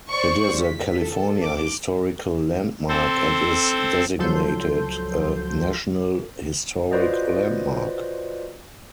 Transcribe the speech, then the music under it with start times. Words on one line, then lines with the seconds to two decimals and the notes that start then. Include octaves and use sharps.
It is a California Historical Landmark and is designated a National Historic Landmark.
0.10 C5 D5 C#6
0.62 B6
0.95 A4
1.42 D6
2.88 C4 A4 C5
4.19 C#2 F3 F#3 A4 C6 G6
6.91 F4 F#4 B4 C5 D5 D#5